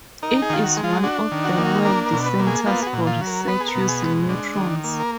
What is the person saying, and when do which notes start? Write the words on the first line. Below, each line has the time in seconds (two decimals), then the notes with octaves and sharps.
It is one of the world centres for research using neutrons.
0.23 D#4 A#4
0.42 G#4
0.50 D#3 F4
0.63 F#4
0.77 G#3
0.84 F4
1.03 D4 F#4
1.32 D#3
1.44 F#4
1.58 A#3
1.65 F#4
1.85 D4 A#4
2.06 A#4
2.12 B2
2.26 B4
2.39 A#3
2.47 G#4
2.66 B3 F4
2.82 G#4
2.86 F#4
2.93 A#2
3.07 F4
3.21 F#3
3.27 A#4
3.48 B3 B4
3.60 G#4
3.68 A#4
3.75 B2
3.88 G#4
4.02 G#3
4.29 D4
4.56 D#3
4.84 A#3
5.00 A#4